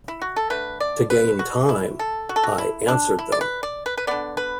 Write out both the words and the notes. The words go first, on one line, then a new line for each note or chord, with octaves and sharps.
To gain time I answered them.
E4
F#4
A4
D3 A3 B4
D5
B4
F#4
E4
A4
F#4
A4
F#4
E4
D4
E4
D5
B4
D5
B4
B4
D3 B3 D5
B4